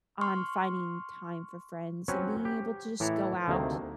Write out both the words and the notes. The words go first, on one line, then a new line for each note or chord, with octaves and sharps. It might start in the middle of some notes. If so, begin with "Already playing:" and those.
on finding time for friends and being able to just go out,
C6 C#6 F6
F#3 C4 C#4 B4 C#5
G4
A2 E3 E4 A4 A#5
D2 C3 D#3 A3 A#3